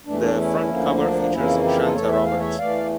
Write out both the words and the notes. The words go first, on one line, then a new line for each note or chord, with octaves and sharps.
The front cover features Shantha Roberts.
E2 E3 A3 D4
D4
C#4 E4
D2 D3 F3 A#3
D4
F2 C#3 E3 A#3 C#4 E4
E4 G4
A#4
F4 A4
E2 E3 A3 A4 C#5
E5
F5
C#5 E5
E2 E3 A3 D5 F5